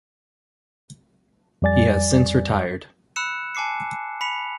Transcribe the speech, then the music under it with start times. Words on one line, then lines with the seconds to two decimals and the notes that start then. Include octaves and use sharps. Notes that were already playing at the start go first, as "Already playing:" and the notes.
He has since retired.
1.62 F2 G3 D5 G#5 A6
3.16 B5 E6 F#6 C#7 E7
3.55 G#5 A5 D6 C7 C#7
4.21 B5 B6 C#7 F7